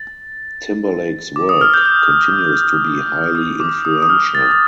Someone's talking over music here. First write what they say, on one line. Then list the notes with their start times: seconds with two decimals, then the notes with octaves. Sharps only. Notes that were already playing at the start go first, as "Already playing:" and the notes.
Timberlake’s work continues to be highly influential.
Already playing: A6
1.36 D6
1.49 D#6
1.61 F6
1.74 G6
1.86 G6
3.35 D#6
3.60 D6
3.85 D#6
4.02 D#6
4.10 F6
4.35 A6
4.52 A6